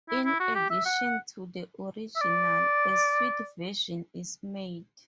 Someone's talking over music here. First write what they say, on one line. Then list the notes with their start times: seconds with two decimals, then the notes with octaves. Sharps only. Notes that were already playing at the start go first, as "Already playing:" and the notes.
In addition to the original, a sweet version is made.
0.09 E4
0.25 E4
0.40 F#4
0.55 G4
0.70 E5
0.86 F#5
2.16 E5
2.21 D5